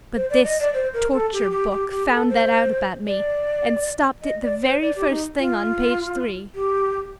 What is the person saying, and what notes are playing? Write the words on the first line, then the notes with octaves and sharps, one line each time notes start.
But this torture book found that out about me, and stopped it the very first thing on page three.
C5
D5
D#5
D5
C5
A#4
A4
G4
G4
G4
G4
A4
C5
D5
D#5
D5
C5
D5
G4
D#4
F4
G4